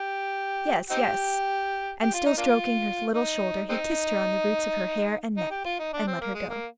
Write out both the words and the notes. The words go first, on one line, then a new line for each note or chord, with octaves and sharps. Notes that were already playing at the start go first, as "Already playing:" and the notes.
"Yes, yes." And still stroking her little shoulder, he kissed her on the roots of her hair and neck, and let her go.
Already playing: G4
C4 D#4 G4
G4
F4
D#4
A#3 D4 F4
D#4
G#3 C4 D#4
D#4
G4
F4
D#4
D4
C4
A#3
G#3
A#3